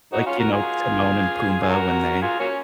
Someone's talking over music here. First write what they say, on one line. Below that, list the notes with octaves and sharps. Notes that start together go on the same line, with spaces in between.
like, you know, Timon and Pumbaa when they
D#4 F#4
C#4 F4
F#4 A#4
F4 G#4
G#4
F#4 A#4
F4 G#4
F#3 A#3 C#4